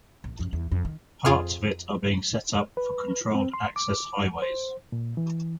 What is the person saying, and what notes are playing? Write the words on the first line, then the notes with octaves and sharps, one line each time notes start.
Parts of it are being set up for controlled-access highways.
A#1
F#2 F3
E2
F2
D#3
F2 F4 G#4 F6
B4
C4
C6
D6
C5
A#2
E3